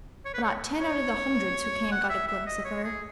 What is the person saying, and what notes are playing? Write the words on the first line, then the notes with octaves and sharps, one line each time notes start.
But not ten out of the hundreds who came got a glimpse of her.
C#5
B4
C#5
C#5
F#5
E5
E5
D#5
C#5
G#4